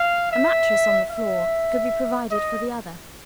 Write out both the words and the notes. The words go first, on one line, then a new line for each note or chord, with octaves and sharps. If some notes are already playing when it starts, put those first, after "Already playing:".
A mattress on the floor could be provided for the other.
Already playing: F5
E5
E5
D#5